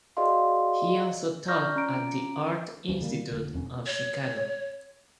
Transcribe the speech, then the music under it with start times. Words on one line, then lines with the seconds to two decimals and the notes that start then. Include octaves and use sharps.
He also taught at the Art Institute of Chicago.
0.17 F#4 G#4 D5 D#5 F5 C6
1.48 D5 A#5 C#6 F6 G6 A#6
1.76 C#4 F4 A#5 D6 D7
2.88 D2 E3 F3 C#4
3.01 D3 D#3 G3 A#3
3.30 F1 D3
3.53 E1 F2 G#3 C#4
3.86 C#5